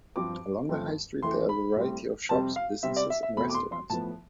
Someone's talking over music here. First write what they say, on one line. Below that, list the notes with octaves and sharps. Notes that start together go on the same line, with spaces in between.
Along the High Street there are a variety of shops, businesses, and restaurants.
G2 F3 C4 D6
G2 F3 A3 C4
F2 E3 A3 C4 C6
B5
A2 G3 C4
F2 C3 G3 C4 A5
F5
C3 G3 C4 E5
D5
E5
E5
E2 B2 A3 C4 B5
D6
C6
C6
A2 F3 B3 A5